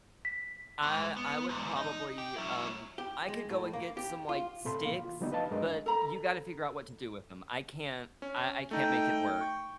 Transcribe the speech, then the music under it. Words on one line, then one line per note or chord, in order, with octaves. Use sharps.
I I would probably, um, I could go and get some, like, sticks, but you gotta figure out what to do with them. I can't I I can't make it work.
B6
E2 G#2
B3
E2 G#2
D#4
G4
F#3 E4
G4
G#3
A2
A#3
G4
F4
A2 C3 A4 B5 C6
E3 A#3 F5
F4
D3 F3 G3 A3 B3 D#4
B4 D#5 F5 A5
F#2 G#3 D4 A#4 B4 D#5
A4 A#5 B5
C#4
A3 D#4 G5
C#6